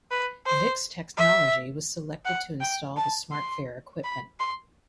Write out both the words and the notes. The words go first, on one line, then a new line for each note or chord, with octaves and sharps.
Vix Technology was selected to install the smart fare equipment.
B4
C5
E5
F#5
G5
A5
C6
B5
C6